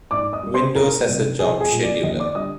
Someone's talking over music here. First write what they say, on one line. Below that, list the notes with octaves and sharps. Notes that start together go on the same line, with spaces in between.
Windows has a job scheduler.
G#2 D5 D6
D#5 D#6
G3 A#3
C5 C6
C2 A#4 A#5
C3 G3
C2 G#4 G#5
G#4 G#5
A#2 G3
D5
D#2 D#5
D5 D6
D3 G3 D#5 D#6